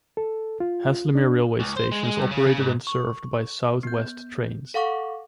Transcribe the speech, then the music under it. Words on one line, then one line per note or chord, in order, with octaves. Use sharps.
Haslemere railway station is operated and served by South West Trains.
A4
F4
D4
C#2
C5
G#3
G#3
G2
C#3
C#3
G#2
C#6
B3 G6
A4 F5 F#5 C#6 D6